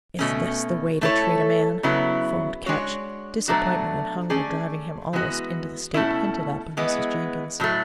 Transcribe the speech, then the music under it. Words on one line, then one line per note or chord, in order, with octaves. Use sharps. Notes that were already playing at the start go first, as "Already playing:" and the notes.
"Is this the way to treat a man?" foamed Ketch, disappointment and hunger driving him almost into the state hinted at by Mrs. Jenkins.
B2 A3 C#4
A3 E4 A4 C#5
C#3 F#3 B3 E4
G#3 D4 F#4 C#5
B2 F#3 A3 D4 F#4
A3 C#4 G#4 D5
E3 G#3 B3 F#4
B2 A3 C#4 E4
E3 G#3 B3
A2 F#3 A3